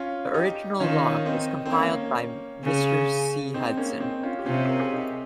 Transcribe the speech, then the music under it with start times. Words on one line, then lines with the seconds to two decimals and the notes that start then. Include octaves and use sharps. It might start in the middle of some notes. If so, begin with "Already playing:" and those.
The original log was compiled by Mr C. Hudson.
Already playing: C#4 F4
0.34 D#4 G4
0.80 D#3 C#4 F4
1.26 C4 D#4
1.66 C4
1.71 A#3 C#4
2.63 C#3
3.54 C4 D#4
3.77 A#3 C#4
4.00 C4 D#4
4.23 C#4 F4
4.39 G4
4.46 C3 C#4 F4
4.68 A#4
4.80 G#4
4.91 D#4 G4